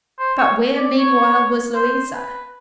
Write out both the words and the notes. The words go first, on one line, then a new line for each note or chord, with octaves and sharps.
But where, meanwhile, was Louisa?
C5
C#5
D5
C#5
C5
B4